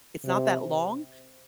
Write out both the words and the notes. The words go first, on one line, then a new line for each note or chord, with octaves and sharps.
it's not that long,
C3